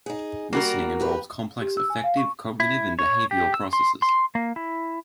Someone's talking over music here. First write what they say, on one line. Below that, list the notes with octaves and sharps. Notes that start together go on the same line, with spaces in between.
Listening involves complex affective, cognitive, and behavioral processes.
D#4 G#4
G3 A#3 F#4 A#4
D#2 G4 B4
G4
E6
G#5
F5
C#6
E4
C#5
G4
E6
C6
C6
A#3
E4